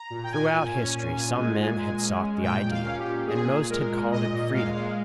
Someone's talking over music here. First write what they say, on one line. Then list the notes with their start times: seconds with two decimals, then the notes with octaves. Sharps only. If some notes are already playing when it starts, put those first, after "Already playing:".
Throughout history, some men had sought the ideal, and most had called it freedom.
Already playing: A#5
0.10 A#2
0.24 G5
0.31 A#2 G#5
0.53 A#2
0.74 C#4
0.95 A#2
1.16 A#2
1.37 G#3
1.58 A#2
1.80 G#3
2.01 C#4
2.21 G#3
2.42 A#2 G5
2.64 A#2
2.71 F5
2.85 C#4
2.99 G4
3.05 A#2
3.27 A#2 G#4
3.48 A#2
3.69 G#3 A#4
3.90 A#2
4.11 A#2 D#5
4.33 A#2
4.53 G#3 F5
4.74 G#3